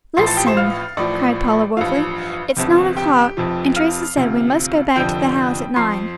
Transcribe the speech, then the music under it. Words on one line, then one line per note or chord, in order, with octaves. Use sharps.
"Listen," cried Paula, woefully, "it's nine o'clock, and Teresa said we must go back to the house at nine."
A1 A2 F3 C6 C7
A5 A6
G4 G5
C5 C6
F5 F6
A1 A2 F3 D5
A1 G2 F3 F5
G1 F2 C3
G4 G5
F1 F2 C3 F3
F5 F6
D2 C3 F3
F1 F2 D3 F3 G5 G6
F2 F3 C6 C7